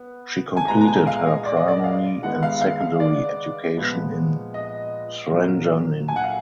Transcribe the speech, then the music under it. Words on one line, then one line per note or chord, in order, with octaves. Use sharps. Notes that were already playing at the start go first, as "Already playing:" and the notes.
She completed her primary and secondary education in Zrenjanin.
Already playing: B3
G#5
A#2 G#3 B3 A#5
A#5
G#5
F5
D#5
D5
D#5
D5
F5
D#3 G#3 B3 F#5
F5
F5
F5
D5
A#2 F3 G#3 B3
D#5
A#2 F#3 A#3
G#5
F#5
F5